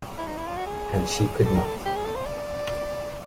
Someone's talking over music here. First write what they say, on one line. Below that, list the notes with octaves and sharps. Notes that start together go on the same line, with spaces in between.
And she could not.
E4
D#4
E4
F4
F#4
G#4
A4
A#4
A4
G4
G#4
A4
C5
D5